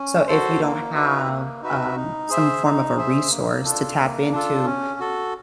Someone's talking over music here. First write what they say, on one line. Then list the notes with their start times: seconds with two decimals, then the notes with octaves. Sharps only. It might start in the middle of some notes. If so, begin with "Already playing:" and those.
so, if you don't have, um, some form of a resource to tap into,
Already playing: C#4
0.27 F#4 A4 C5
0.61 A#3
0.94 D#4 F#4 B4 E5
1.28 A#3
1.62 D#4 F#4 B4 E5
1.96 D#4
2.29 G#4 C5 E5
2.64 D#4
2.97 G#4 C5 E5
3.31 A#3
3.64 D4 F4 A4
3.98 A#3
4.32 D4 F4 A4
4.66 C#4
5.00 F#4 A4